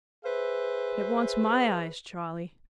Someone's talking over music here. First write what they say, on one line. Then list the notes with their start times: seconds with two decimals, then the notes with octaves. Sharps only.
It wants my eyes, Charley.'
0.25 G#4 B4 C5 E5